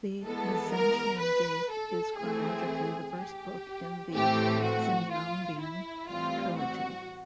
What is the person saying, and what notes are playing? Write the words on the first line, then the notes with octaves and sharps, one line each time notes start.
"The Mezentian Gate" is chronologically the first book in the Zimiamvian Trilogy.
E3 G#3 B3 A4
A#4
B4
A4
E3 A3 C4 G#4
G4
A2 E3 A3 C4 G4
F#4
F4
E4
A2 E3 G3 C4 F4
F#4